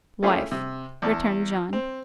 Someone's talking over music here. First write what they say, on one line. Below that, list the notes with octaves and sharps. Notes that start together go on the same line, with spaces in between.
"Wife," returned John.
A3 C#4 E4 F4 G4 G#4
C3
E2 A5
C4